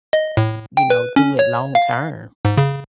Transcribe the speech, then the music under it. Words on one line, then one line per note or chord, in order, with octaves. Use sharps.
you know, do it long term.
D#5
A2
G5
B4
C#4
C#5
F5
G#2
C#3